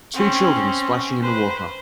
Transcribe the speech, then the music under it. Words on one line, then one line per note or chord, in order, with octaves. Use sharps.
Two children splashing in the water.
C4 C#4
B4 C5